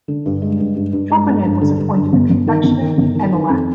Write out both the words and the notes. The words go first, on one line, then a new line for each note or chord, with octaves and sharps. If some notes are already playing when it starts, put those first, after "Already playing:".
Tropinin was appointed a confectioner and a lackey.
D3
G2
G#3
G2
G2
G2
G#3
G2
G2
D3
G2
G2
G1
G1
D#3
G1
D#3
G1
D#3
D#3
F2